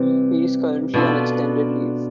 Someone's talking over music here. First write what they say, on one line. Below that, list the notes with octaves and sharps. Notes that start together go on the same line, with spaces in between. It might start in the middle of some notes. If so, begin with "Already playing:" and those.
He is currently on "extended leave".
Already playing: C3 E3 G3 C4
B2 B3 D4 F4 A4